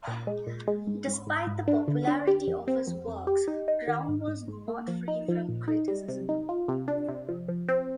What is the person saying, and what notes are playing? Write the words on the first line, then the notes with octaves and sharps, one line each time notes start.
Despite the popularity of his works, Graun was not free from criticism.
A#2
G#3
A#2
G#3
G#2
G#2
G#2
G#2
D4
D3
D4
G4
F2
C4
F2
F2
G4
D#4
D#4
D#3
G#2
G#2
G#2
A#3
F3
D#4
F3
A#2
D#4
G3
C3
D#4
F4
C3
D4
C3
F3
F3
C4